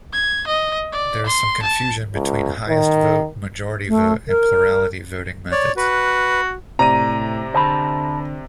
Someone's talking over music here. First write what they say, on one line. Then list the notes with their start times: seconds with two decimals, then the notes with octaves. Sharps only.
There is some confusion between highest vote, majority vote and plurality voting methods.
0.13 G#6
0.47 D#5
0.92 D5
1.26 C6
1.62 A5
2.14 C#2
2.69 D#3
3.88 A3
4.28 A#4
5.52 C#5 D5
5.77 F#4 B4
6.79 A2 C3 D5 A#5 D#7
7.54 D3 C5 A5 B5